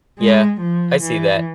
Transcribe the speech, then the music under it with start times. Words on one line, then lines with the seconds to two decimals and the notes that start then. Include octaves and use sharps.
Yeah, I see that.
0.19 G#3
0.61 F3
1.02 E3